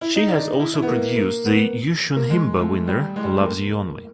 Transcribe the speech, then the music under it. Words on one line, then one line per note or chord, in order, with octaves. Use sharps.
She has also produced the Yushun Himba winner Loves Only You.
E4
D#4
D4
E4
E4
B3
A#3
A#3
B3
A#3
G#3
A3
G#3
G3
G#3
G3
G#3
A3
A#3